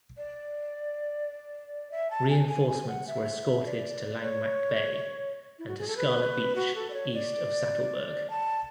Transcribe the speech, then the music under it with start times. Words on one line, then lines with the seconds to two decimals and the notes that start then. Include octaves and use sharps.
Reinforcements were escorted to Langemak Bay and to Scarlet Beach east of Satelberg.
0.17 D5
1.91 E5
2.11 A5
2.30 G#5
2.49 G#5
2.69 G#5
2.88 F#5
3.07 E5
3.66 D5
4.23 C#5
5.59 E4
5.67 F#4
5.78 G#4
5.88 A4
5.97 B4
6.56 F#4
6.75 A4
6.90 D5
6.94 C#5
7.14 D5
8.30 A5